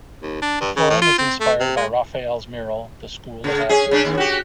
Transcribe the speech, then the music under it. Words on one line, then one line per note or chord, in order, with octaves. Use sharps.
The flooring is inspired by Raphael's mural, "The School of Athens".
D#2
D4
G2
C#3
A2
F4
C4
A3
C3
G#3
C#3
C#4 G#4
C#3 D4
D#2
F#4 G4